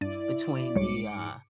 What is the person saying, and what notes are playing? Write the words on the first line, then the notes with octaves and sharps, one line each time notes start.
between the, uh,
G2 E4 D5 A6 D#7
B1 G#2 G3 C#5 D6 C#7